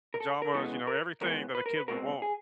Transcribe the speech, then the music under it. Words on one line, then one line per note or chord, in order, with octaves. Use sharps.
pajamas, you know, everything that a kid would want.
A#4
A4
A#4
C#3 E3 G#3 B3 A4
A#4
C#3 E3 G#3 B3 A#4
B4
A#4
B4
B2 G#3 C4 A#4
G#4